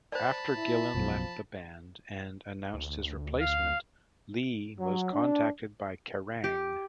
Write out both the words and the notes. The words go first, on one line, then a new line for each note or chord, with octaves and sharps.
After Gillen left the band and announced his replacement, Lee was contacted by Kerrang!
C5 D5 A5 B5
E4
B1 F#2 B2 F3
D2
F5
F#3
D4
G4